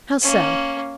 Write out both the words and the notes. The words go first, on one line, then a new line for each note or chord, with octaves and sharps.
"How so?"
A#3 C#4